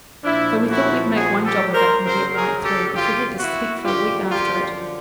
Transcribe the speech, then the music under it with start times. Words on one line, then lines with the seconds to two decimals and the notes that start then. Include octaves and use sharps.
So we thought we'd make one job of it, and get right through, if we had to sleep for a week after it.
0.23 A#2 F3 D4 E4
0.69 E4 F#4
1.14 F#4 G#4
1.44 G4 A4
1.74 A#4 C5
2.03 F#2 C#3 F#3 A#4 C5
2.35 G#4 A#4
2.63 G4 A4
2.94 F4 G4
3.39 E4 F#4
3.84 F#2 D3 F3 F4 G4
4.29 F4 G4